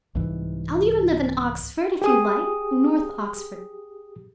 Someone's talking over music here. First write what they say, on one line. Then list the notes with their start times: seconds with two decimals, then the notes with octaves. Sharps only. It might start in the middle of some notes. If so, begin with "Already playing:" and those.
I'll even live in Oxford if you like--North Oxford.
0.15 C2 G#2 E3
2.02 G4 G#4 D#6